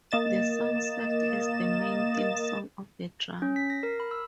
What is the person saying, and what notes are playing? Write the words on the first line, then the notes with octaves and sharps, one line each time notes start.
The song served as the main theme song of the drama.
A#3 D#5 A6 E7
C#4
B6
A#6
A#4
B5
E6